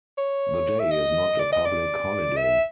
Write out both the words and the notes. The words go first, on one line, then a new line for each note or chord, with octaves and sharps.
The day is not a public holiday.
C#5
E5
D#5
D5
D#5
D5
E5